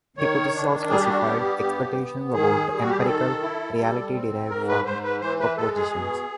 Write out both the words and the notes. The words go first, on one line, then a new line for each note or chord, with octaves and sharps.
Hypotheses are specified expectations about empirical reality derived from propositions.
D#3 C#5
D4
G3 G#4
G4
F#4
G4
B3
G2
B3
D#3 G#4
G3
F#4
G4
G#4
D#3 A4
E4
G3
C4
G#2 A#4
B4
G#2 C5
B4
E3 C5
B4
G#3 A4
G#4
B2